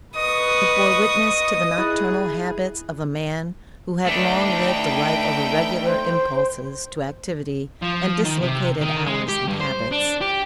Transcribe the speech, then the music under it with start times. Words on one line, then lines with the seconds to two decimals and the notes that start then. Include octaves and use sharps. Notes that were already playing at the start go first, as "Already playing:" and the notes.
It bore witness to the nocturnal habits of a man who had long lived a life of irregular impulses to activity and dislocated hours and habits.
0.16 B4 D#5 C#6 D#6
1.78 E4 G#4 F#6
4.07 A3 D4 D#4 B4 G5
5.85 C5
7.82 F3
8.24 D#3
8.42 C3
8.81 D#3
9.06 G#3
9.28 G4
9.48 G2
9.61 C5
9.92 D4
10.21 G4